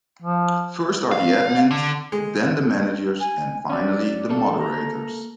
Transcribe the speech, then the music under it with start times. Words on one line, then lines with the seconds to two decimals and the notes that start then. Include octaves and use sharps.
First are the Admins, then the Managers, and finally the Moderators.
0.22 F3
1.11 F5
1.71 D3
2.12 G#3
3.20 G#5
3.70 F#3 C#4 D5
4.29 A#3 A4 D5
4.57 A#5